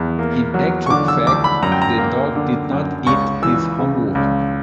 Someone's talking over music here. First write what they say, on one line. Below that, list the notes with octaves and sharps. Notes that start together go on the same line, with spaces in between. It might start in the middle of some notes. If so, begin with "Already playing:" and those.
In actual fact, the dog did not eat his homework.
Already playing: E2
A#3
F#3
C#6
D3 D6
E6
D2 D6
B5
F#2 A#5
G5
A#5
A#3
D3
F#2
C#2 C#6
E3 E6
C#3
C#2